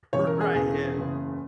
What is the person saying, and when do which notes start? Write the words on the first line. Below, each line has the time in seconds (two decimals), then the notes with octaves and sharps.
R right, yeah.
0.13 E1 E2 C#3 E3 C#5
0.27 A#4
0.41 G#4
0.54 E1 E2 C#3 E3 G#4
0.97 F#1 E2 C#3